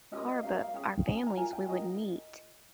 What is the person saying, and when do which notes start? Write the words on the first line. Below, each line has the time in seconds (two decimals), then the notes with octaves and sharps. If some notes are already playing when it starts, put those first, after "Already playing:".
car, but our families, we would meet
0.11 C#4 G4 A#4 D#5
0.28 D#5
0.43 C#4 G4 A#4 F5
0.59 F5
0.74 C#4 G#4 G5
1.06 C#4 G#4
1.26 A#5
1.36 F4 A#4 G#5
1.53 G5
1.68 F4 A#4 D#5